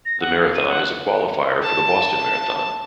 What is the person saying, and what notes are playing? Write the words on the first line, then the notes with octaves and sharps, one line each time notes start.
The Marathon is a qualifier for the Boston Maraton.
A#6
F#5
F5
D#7
F#5
A5